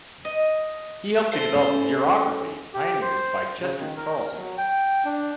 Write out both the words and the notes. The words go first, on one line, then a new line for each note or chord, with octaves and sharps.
He helped to develop xerography pioneered by Chester Carlson.
D#5
A3 C5
C#4
G4
C5
C#3
D#3
A#4
F#3
G5
D4